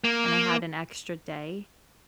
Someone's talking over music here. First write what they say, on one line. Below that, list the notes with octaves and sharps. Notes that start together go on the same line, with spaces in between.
and I had an extra day.
A#3